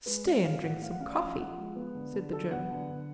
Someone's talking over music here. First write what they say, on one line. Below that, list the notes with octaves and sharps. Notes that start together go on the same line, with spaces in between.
"Stay and drink some coffee," said the German.
G#3 B4
C#4 D5
A2 F5
A2 F#5
A3 F5
F#5
C#4 F5
D5
F3 F5
F3 F#5
G#3
B3
D3
D3
F#3 A4
B3 F#5
D3
D3